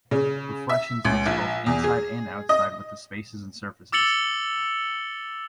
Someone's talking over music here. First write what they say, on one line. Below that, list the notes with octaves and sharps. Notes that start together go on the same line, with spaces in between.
Reflections mix both inside and outside with the spaces and surfaces.
C#3
E5
C#2
A#1
E2
G#4
D#5
D6 E6 A6 C#7 F#7 G7